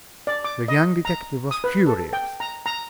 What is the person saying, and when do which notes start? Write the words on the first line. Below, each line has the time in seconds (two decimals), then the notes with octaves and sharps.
The young detective was furious.
0.27 D5
0.44 D6
0.68 D#5
1.05 A#5
1.51 D#6
1.64 B4
1.86 A4
2.13 G5
2.40 A#5
2.66 A#5